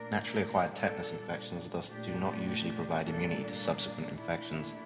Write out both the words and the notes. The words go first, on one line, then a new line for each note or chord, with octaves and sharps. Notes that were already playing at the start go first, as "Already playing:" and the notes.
Naturally-acquired tetanus infections thus do not usually provide immunity to subsequent infections.
Already playing: A#2 A3 D4 A#4
A#2 G3 D4 A4
A#2 A3 D4 G4
A#2 G3 A#3 D4 A4
A#2 A3 D4 E4